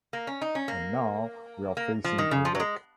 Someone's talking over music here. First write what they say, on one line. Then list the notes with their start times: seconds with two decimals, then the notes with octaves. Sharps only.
And now we are facing a wreck.
0.13 A#3
0.27 C#4
0.41 D#4
0.55 C#4
0.68 A#3
1.77 A#3
2.04 F3
2.18 D#3
2.31 C#3
2.45 F3
2.55 F#3
2.60 G#3